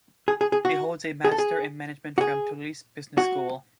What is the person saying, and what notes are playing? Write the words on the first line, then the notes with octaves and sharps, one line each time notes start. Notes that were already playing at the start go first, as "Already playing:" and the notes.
He holds a Master in management from Toulouse Business School.
G#4
G#4
G#4
F#4
G#4
A4
G#4
F#4
G#4
F#4